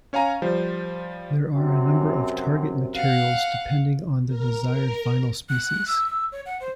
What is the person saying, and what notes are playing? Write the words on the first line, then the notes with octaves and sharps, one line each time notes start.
There are a number of target materials depending on the desired final species.
C#4 C#5 F5 G#5 A#5
F3 G3 C5
F#2 C3
F5 F#5
A#4
A#4
F#6
E6
E6
C#5
F#5
C5